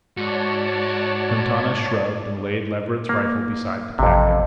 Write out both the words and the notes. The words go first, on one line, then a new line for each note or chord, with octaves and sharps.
Quintana shrugged and laid Leverett's rifle beside the packet.
G#2 F#4 C#5 D5 A5
A#3
A1 F2 C3